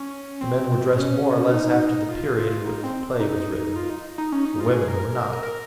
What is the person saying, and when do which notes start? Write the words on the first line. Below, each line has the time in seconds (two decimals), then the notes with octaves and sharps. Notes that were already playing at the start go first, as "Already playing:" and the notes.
The men were dressed more or less after the period in which the play was written; the women were not.
Already playing: C#4
0.41 C4
0.97 C#4
1.53 D#4
2.09 F4
2.64 D#4
2.84 C4
3.20 D#4
3.76 F4
3.90 D#4
4.18 D#4
4.32 C#4
4.45 D#4
4.60 F4
4.73 G#4
4.88 A#4
5.43 A#4